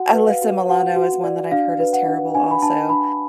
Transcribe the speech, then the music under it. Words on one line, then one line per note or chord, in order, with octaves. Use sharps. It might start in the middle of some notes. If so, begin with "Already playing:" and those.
Alyssa Milano is one that I've heard is terrible, also,
Already playing: F#4 F#5
B4
F5
F#4
F#4 F#5
F#4
D5
D4 F5
B4
F#5
D4
D4 G#5
B5
D4 A5
D4 B5